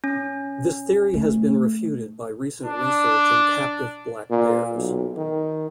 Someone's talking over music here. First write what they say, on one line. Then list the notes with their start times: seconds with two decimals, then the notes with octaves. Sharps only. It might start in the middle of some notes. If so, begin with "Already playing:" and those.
This theory has been refuted by recent research in captive black bears.
0.04 C#4
1.14 A3
2.66 D4
4.31 A#2
4.74 B1
5.17 D#3